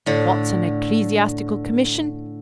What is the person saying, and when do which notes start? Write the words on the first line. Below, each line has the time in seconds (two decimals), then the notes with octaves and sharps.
What's an Ecclesiastical Commission?
0.06 A2 D3